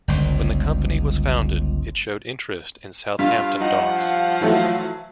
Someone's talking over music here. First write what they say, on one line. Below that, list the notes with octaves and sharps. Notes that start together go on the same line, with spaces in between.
When the company was founded it showed interest in Southampton Docks.
G1 C#2
G2 F4 F5 B6
F3 D#4 F#5
F5
E3 F#3 A3